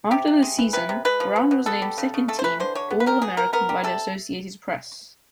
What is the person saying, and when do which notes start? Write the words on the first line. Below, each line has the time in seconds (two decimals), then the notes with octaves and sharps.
After the season, Brown was named Second-Team All-American by the Associated Press.
0.11 C3 G4
0.27 C3
0.43 G#3
0.58 E3
0.73 C3 B4
0.89 C3
1.05 G#3 B4
1.20 F3
1.36 B2
1.51 B2
1.66 B3 A4
1.82 G3
1.98 C#3
2.14 C#3
2.28 A3 A4
2.39 C5
2.44 E3 B4
2.60 D3 C5
2.75 D3 C#5
2.90 B3
3.00 B4
3.06 G3 A#4
3.22 B2 G#4
3.37 B2 A#4
3.53 B3 A#4
3.69 G3
3.84 C3 A4